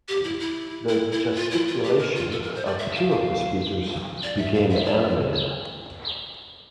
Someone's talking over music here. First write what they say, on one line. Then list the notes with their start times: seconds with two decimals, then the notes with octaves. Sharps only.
The gesticulation of two of the speakers became animated.
0.08 G4
0.24 E4
0.40 E4
0.88 E4
1.12 E4
1.36 F4
1.51 E4
1.67 F4
1.84 G4
1.99 A#4
2.15 F4
2.32 A4
2.43 A#4
2.55 C5
2.66 D5
2.79 E5
2.95 F5
3.11 F5
4.23 D5
4.37 E5
4.54 F5
4.70 E5
4.86 D5